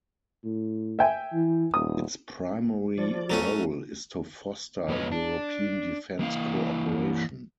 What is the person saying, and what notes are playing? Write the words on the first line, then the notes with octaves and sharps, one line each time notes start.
Its primary role is to foster European defence cooperation.
A2
E5 G5 G#5
E3
D#1 D#6
F3 D5
F#3 A3 C#4
F2 F#3 B3 B4 C#5 D#5
D4
E3 A#3 E4 F5